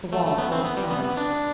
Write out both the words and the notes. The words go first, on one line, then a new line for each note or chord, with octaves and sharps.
The wall held firm.
A3
A3
B3
C4
B3
G3
B3
B3
D4